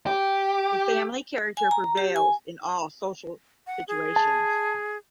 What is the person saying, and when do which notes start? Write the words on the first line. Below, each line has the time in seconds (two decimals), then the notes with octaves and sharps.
The family character prevails in all social situations.
0.06 G4
1.57 G#5
1.71 A#5
1.97 G4
2.16 G#5
3.67 F#5
3.88 G#4
4.16 A5